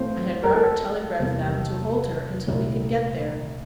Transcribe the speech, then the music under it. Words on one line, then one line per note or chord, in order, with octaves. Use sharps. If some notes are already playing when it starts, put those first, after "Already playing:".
I had Robert telegraph them to hold her until we could get there.
Already playing: A2 E3 A3 C4 F4 C5
A#4
A4
E2 C3 G3 A#3
C2 A#2 A3 E4